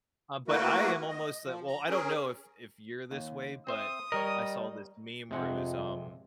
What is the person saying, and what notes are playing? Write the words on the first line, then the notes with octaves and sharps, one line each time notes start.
Um, but I am almost well, I don't know if if you're this way, but I saw this meme where it was, um,
A3 A#3 E4 F#4 A#4 B4
D#5
F3
A#5
C#4 G#4 A#4
D#2
C4 C5 E5 D#6
G3 A#4 C#5 D#5
F2 C3 G#3 F#5